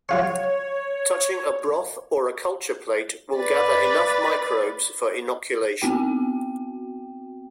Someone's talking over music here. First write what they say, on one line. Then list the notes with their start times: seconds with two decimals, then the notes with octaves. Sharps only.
Touching a broth or a culture plate will gather enough microbes for inoculation.
0.09 F#3 F4 C#5 C#6
3.38 B4 D5
5.82 B3 C4 F#4 G5